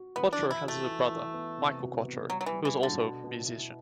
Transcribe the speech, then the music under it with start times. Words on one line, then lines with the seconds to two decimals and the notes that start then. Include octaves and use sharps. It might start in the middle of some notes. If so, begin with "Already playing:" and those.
Quatro has a brother, Michael Quatro, who is also a musician.
Already playing: F#4
0.16 E3 B3
0.33 D4
0.39 E3
0.51 E4
0.63 F#4
0.68 A3
0.86 E3
1.11 E3
1.34 B3
1.58 C3
1.82 F#4
2.05 B3
2.29 F#3 G3
2.41 F#3
2.46 E3
2.52 G3
2.65 E3
2.76 F#4
2.83 D3
3.00 B2
3.24 B2
3.48 E4